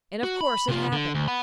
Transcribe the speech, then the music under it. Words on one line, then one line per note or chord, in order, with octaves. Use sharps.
And of course it happened!
F#4
B5
C3 F4
D3
D2
F#5 B5